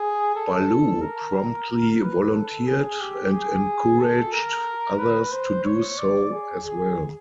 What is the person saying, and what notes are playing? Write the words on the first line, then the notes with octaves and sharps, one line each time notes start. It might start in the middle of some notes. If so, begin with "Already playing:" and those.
Ballou promptly volunteered, and encouraged others to do so as well.
Already playing: G#4
A4
A#4
B4
A4
G#4
G4
G#4
A4
A#4
B4
C5
C#5
D5
G#4
G#4